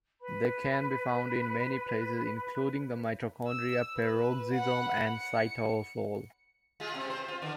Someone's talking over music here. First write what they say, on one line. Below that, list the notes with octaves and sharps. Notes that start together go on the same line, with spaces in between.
They can be found in many places including the mitochondria, peroxisome and cytosol.
B4 B5
E6
B4
F#5 B5
C#7
G#3 F4 G#4
C3 C4
C5
F4
D3 D#3